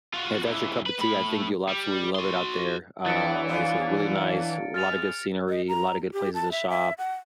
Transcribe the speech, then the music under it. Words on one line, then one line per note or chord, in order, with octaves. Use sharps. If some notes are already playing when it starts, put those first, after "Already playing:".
if that's your cup of tea, I think you'll absolutely love it out there, uh, like I says, it's really nice, a lotta good scenery, a lotta good places to shop,
F4 F#4
C#2 E3
B4 B5
A2 B5
G3
F#4 C6
E3 F#3 D4 A6 C#7 D7
B3 F4 C5
F3
G#3 B3 C4 F6 A6 F7
D#5
A#5
G4
A5
E5
E5
F#5